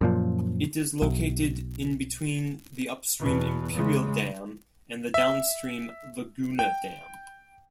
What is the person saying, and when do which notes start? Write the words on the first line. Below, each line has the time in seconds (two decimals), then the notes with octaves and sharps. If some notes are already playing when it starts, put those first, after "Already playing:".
It is located in between the upstream Imperial Dam and the downstream Laguna Dam.
0.01 F#2 A#2 F3
1.02 B1
3.19 E2 B2
3.73 C#3 G#3
5.14 E5
6.59 G5